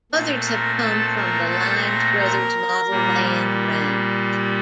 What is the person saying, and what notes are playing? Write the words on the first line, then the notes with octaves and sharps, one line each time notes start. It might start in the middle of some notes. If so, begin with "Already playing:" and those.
Others have come from the Lines Brothers Model-Land range.
A#2 A3 C4
A#4 A#5
A4 A5
A#4 A#5
A4 A5
A#4 A#5
A#4 A#5
A#2 G3 A#3